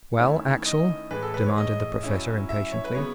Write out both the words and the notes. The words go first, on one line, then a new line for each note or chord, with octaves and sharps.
"Well, Axel?" demanded the Professor impatiently.
D#3 A3 C#4 E4 C#5
D#5
A2 E3 G#3 B4
A4
B4
C#5
D#5
F#3 C#4 E4
E5
C#5
B4
C#3 F#3 B3 C#5